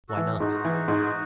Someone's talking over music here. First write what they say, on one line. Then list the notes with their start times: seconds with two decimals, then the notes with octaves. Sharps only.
Why not?
0.09 F#4 A4
0.17 E3
0.40 G#2 D#4 F#4
0.65 E3
0.88 G#2